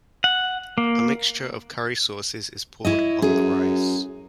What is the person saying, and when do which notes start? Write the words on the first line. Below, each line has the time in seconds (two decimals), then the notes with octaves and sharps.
A mixture of curry sauces is poured on the rice.
0.24 F#5
0.78 A#3
2.85 E4 C#5 D#5
3.22 F#2 G#4